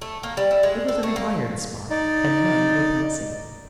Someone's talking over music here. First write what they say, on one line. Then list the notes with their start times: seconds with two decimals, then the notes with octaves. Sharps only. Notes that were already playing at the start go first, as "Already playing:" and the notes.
It was a retired spot, and none were passing.
0.01 A3
0.23 A#3
0.37 G3
0.51 E4
0.63 G#3
0.88 A4
1.03 A3
1.16 A#3
1.90 D#4 D5